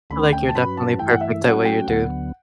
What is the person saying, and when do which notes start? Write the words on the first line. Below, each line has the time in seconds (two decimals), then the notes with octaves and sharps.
I like you're definitely perfect the way you do.
0.10 D2 D3 A3 C#4 B5
0.33 G5
0.49 A5
0.55 G2 F#3 C#4 F#4 B4 B5
0.77 A5
0.99 G2 E3 A3 E4 G5
1.10 F#5
1.21 E5
1.44 F#3 A3 C#4 F#4 F#5
1.65 G5
1.87 D2 D3 F#3 B3 F#5